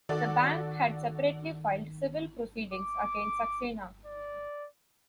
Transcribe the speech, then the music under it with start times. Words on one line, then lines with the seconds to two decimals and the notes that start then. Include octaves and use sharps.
The bank had separately filed civil proceedings against Saxena.
0.09 D#3 F#4 A4 D5
2.74 D6
4.06 D5